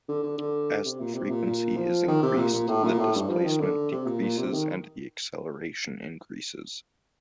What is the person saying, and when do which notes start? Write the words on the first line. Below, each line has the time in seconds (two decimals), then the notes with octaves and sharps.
As the frequency is increased, the displacement decreases, and the acceleration increases.
0.08 D3
0.23 D3
0.38 D3
0.85 C3
1.00 A#2
1.15 C3
1.30 A#2
1.47 A#2
1.76 F3
2.08 D#3
2.23 C3
2.37 A#2
2.54 A#2
2.68 A2
2.84 A#2
2.99 A2
3.15 G2
3.30 F3
3.45 D#3
3.60 D3
3.92 C3
4.06 A#2
4.22 A#2
4.38 C3
4.53 D#3